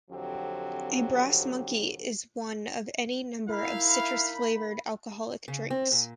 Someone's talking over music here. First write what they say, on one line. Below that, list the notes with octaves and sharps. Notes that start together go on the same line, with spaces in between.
A "brass monkey" is one of any number of citrus-flavored alcoholic drinks.
F2 D3 F#3 C4 G4
A#3 D#4 E4 F5 B5
C#3
C4
A#2